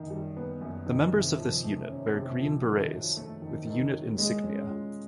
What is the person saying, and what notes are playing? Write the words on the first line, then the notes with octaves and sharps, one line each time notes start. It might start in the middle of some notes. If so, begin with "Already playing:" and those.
The members of this unit wear green berets with unit insignia.
Already playing: F#2 D#3
G3
B3
F#2
D#3
C3
F3
A3
C#4
C3
F3
D#3
F#3
A3
D#3
D#3
F#3
G#3
C#4
F4